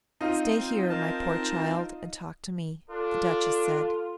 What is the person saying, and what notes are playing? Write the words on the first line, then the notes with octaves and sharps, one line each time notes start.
"Stay here, my poor child and talk to me," the Duchess said.
C4 D#4 F4
A#4 A5
D4 F4 A4